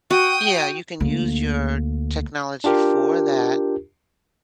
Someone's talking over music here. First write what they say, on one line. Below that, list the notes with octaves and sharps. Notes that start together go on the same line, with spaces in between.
Yeah, you can use your technology for that
F#4 G5 D#6
D2 A#3
D4 F4 G4 A#4